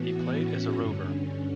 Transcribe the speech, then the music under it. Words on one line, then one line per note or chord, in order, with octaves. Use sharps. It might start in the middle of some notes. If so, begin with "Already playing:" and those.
He played as a rover.
Already playing: A2 E3 B3 F#4
C#4
G2 D3 C#4